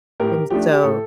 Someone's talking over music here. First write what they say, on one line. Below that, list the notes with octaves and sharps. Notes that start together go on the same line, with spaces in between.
And so,
A2 G4 A#4
F3 A3 D4 G4
G4
A2 A4